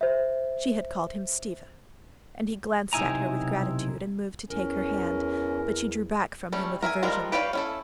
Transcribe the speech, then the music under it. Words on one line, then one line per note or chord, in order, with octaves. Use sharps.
She had called him "Stiva," and he glanced at her with gratitude, and moved to take her hand, but she drew back from him with aversion.
C5 E5
B1 C3 D#4 E4 G#5 A#5
E2 C#4 A#4
G3 A3 C#4
A#4 E5 F5 G#5
F3 G3 G#3 F4 A#4
G4 B4 C#5 D5 F5
C#4 E4 A4